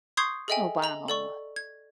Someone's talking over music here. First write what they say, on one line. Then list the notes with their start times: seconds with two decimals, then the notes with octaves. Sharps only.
Oh, wow.
0.17 C6 C#6 D#6 G6 G#6 C7
0.48 G#4 A4 D#5 E5 G5 G#5
0.82 D#5 A#5 F#7
1.08 A4 D5 C#6
1.56 G#6